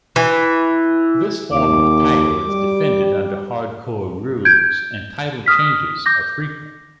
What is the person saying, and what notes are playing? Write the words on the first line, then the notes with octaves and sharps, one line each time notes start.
This form of title is defended under hardcore rules, and title changes are frequent.
E3
D#2 D6
G3
G6 G#6 D7
D#6 F6 B6
D6 G6 A#6